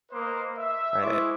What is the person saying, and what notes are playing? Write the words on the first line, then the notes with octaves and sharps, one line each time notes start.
I it
A#3 B4 C5 D#5
E5
G#3 E4 C5 C#6 D6